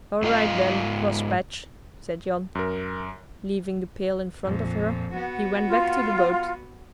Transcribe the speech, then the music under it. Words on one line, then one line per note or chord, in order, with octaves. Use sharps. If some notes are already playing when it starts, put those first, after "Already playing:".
"All right, then, Crosspatch," said Jan. Leaving the pail in front of her, he went back to the boat.
G#2 F4 D#5 F5
F#2 A#4
F2 A#2
B3 F#4
F4